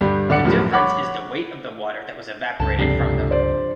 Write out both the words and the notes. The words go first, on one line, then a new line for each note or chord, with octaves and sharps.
The difference is the weight of the water that was evaporated from them.
G2 D3 G3
D1 D3 D5 F#5 C#7
F#2 A2 F3 G3
C#5 F#5 B5 D6
C#2 G2 C#4 A4 A5
F1 F3 D4 G4 C7
C5 D5